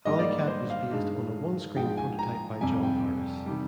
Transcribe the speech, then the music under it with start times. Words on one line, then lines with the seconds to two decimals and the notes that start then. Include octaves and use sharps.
"Alley Cat" was based on a one-screen prototype by John Harris.
0.05 G#2 G3 A#3 D#5
0.19 D5
0.48 C5
0.70 F5
0.91 G2 D#3 G#3
1.75 G#2 F3 G#3 G5
1.97 G#5
2.19 A#5
2.61 F2 C3 G3 G#5
2.83 G5
3.46 C3 D#3 G3